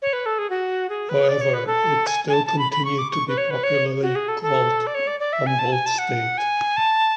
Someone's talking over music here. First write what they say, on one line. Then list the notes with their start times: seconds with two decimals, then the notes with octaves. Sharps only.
However, it still continued to be popularly called Humboldt State.
0.02 C#5
0.13 B4
0.26 A4
0.38 G#4
0.50 F#4
0.89 G#4
1.09 B4
1.29 D5
1.41 C#5
1.54 B4
1.67 A4
2.07 G#5
2.29 G#5
2.33 A5
2.46 A5
2.59 B5
2.72 B5
2.85 C#6
2.98 D6
3.11 C#6
3.28 B4
3.38 C#5
3.51 B4
3.63 C#5
4.03 F#4
4.15 G#4
4.28 A4
4.42 A4
4.87 D5
4.95 C#5
5.07 D5
5.20 D5
5.33 E5
5.47 G#5
5.59 A5
5.72 G#5
5.86 A5
5.98 F#5
6.38 G#5
6.77 A5